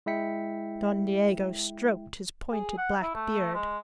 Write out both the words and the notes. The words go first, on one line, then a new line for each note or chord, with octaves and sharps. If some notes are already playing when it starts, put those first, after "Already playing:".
Don Diego stroked his pointed black beard.
G#3 E4 E5 G5 B6 C#7
G#4
F#5
E4
A3
G#3